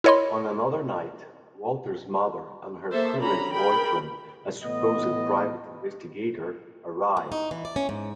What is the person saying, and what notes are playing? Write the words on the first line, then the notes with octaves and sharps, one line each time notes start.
On another night, Walter's mother and her current boyfriend, a supposed "private investigator", arrive.
E4 A#4 C#5 D#5 B5 C6
A#3 A4 C5 E5 A5
D3 C#4 F#4 A#5 B5
G#4 A#4 G5 B5
A2 E3 B3 D#5
A2
D#4
E3
D5
C#4
G#2